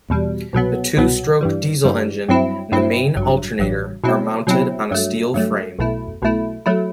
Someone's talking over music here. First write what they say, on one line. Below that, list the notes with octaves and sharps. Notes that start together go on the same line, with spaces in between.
The two-stroke diesel engine and the main alternator are mounted on a steel frame.
E2 B2 G3
C2 B2 F#3 B3
C2 B2 F#3 B3
G2 E3 G3
G2 E3 G3
G2 F#3 C4 E4
G2 F#3 C4 E4
A1 G2 F#3
A1 G2 F#3
B2 F#3 C4 E4
B2 F#3 C4 E4
G2 F#3 A3
G2 F#3 A3
B1 B2 A3 E4
B1 B2 A3 E4
F#3 A3 E4